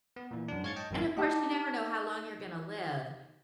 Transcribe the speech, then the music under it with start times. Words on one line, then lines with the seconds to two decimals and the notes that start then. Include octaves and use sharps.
And, of course, you never know how long you're gonna live,
0.16 B3
0.31 A#2 E3
0.48 F#2 D4
0.63 G#2 C#5 F5 G#6 A6 C#7
0.76 D#5 G5 A5
0.91 G#1 F#2 A#3 D#4 A#4
1.17 D#4 G4 A5